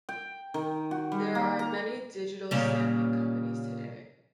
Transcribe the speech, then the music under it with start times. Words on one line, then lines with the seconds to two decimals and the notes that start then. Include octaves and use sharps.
There are many digital stamping companies today.
0.09 G5
0.54 D#3
0.91 F#4
1.12 G3
1.35 A#3
1.59 A#5
2.51 A#2 C#3 G3